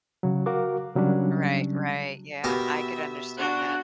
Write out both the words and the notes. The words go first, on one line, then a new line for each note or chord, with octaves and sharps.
Right, right. Yeah. I could understand that.
C#3 F#3
F#4 A#4 F5 D6
C#3 F#3 G3 C#4 D4
B2 G4 A#4 E5
D4 F#4